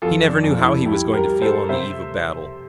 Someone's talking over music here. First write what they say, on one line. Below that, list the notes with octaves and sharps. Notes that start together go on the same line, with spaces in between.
He never knew how he was going to feel on the eve of battle.
F2 F4 A4
D4
F2
E4
G3 E4 G4
G4 A#4
G3
A4 C5
C3 C5 E5